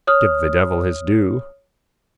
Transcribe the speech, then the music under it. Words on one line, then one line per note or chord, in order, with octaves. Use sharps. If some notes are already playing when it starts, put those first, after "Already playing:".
Give the devil his due.
C#5 D#6 F6